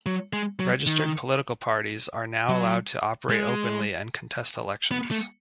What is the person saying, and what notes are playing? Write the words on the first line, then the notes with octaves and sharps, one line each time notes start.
Registered political parties are now allowed to operate openly and contest elections.
F#3
G#3
F#3
D#3
F#3
G#3
B3
A3